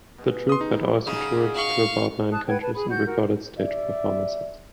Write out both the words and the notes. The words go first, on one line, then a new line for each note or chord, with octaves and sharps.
The troupe had also toured to about nine countries and recorded stage performances.
B2 G#3 F#4
C6 D#6
D#4
B4 C#5
C#3 F#3 D#4 G#4
F5 C#6
A5 D#6 F#6
B4 F#5 G5 G#6
B4 A5
G#4 B5
F#4 F#5 G6
F#4 A#4
D5 E5